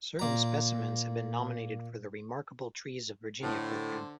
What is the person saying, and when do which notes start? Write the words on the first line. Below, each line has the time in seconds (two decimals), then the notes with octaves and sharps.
Certain specimens have been nominated for the "Remarkable Trees of Virginia" program.
0.19 A#2 A#5
3.42 A2 D3 C5